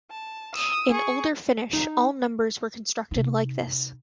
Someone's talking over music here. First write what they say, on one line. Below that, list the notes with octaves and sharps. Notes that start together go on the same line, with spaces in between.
In older Finnish, all numbers were constructed like this.
A5
D#6 E6
G#4 C#6
D#4
C3 D#4